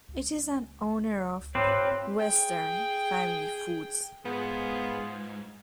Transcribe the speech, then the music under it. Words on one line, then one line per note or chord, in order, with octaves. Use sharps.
It is an owner of Western Family Foods.
C#2
G#2 C4 F4 G4 B4 C#5
G#4 G5
G#2 B3 F4 G#4